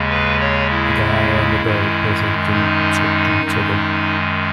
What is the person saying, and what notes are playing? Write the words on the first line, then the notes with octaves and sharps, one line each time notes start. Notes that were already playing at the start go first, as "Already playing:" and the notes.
A guy and a girl presenting object to each other.
Already playing: D#2 C#3 G#3
B4
C#5
E4
F#2 D#3 G#3
D#4
F#2 D#3 G#3